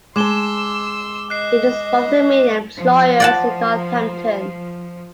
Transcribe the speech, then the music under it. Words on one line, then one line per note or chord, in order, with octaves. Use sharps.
It is one of the main employers in Northampton.
G#3 A5 C6 D6 E6 E7 G7
D#5 F#6 C7
F3
D5 F#5 A5